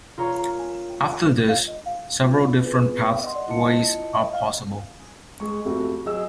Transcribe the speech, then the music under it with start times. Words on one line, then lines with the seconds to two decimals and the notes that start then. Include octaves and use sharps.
After this, several different pathways are possible.
0.18 F4 A#4 C#5 A#5
2.23 F4
2.62 B3 C4 E4 F4 G#4 B4
3.27 D#5 F#5 C6
3.49 E4 F4 D#5 A5 C#7
5.40 G#3 G#4 C#6
5.65 F2 A3 F#4 G4
6.06 F#3 G#4 D#5 E6